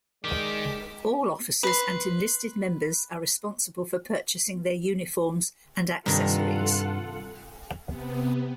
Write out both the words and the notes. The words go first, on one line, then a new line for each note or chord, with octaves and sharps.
All officers and enlisted members are responsible for purchasing their uniforms and accessories.
D#3 G#3 G4 D5
B4 C6
G2 C3 D#3 F4 A4 F#5
C3 B3